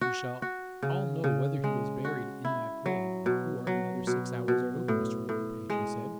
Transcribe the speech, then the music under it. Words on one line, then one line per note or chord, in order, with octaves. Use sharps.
"We shall all know whether he was buried in that grave before another six hours are over, Mr. Quarterpage," he said.
F#4
F#4
C#3
C#3
G#3
F#4
E4
F#3
B2
F#3
B2
B2
A2
A2
G#3